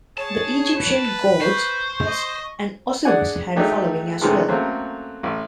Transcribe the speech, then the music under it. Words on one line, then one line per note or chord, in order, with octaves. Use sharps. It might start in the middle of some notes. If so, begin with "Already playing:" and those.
The Egyptian gods Bes and Osiris had a following as well.
G#4 C#5 A5
B4
C5 C#6
D#5
D4 G#4 D5 F#5 G#5
F#3 A3 D#4 G4 G#4
C3 D#3 E3 G#3 A3 C#4
F#3 A3 A#3 C4 C#4
A1